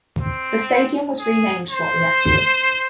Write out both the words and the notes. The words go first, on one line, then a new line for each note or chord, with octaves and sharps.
The stadium was renamed shortly afterwards.
C4
G#4
C5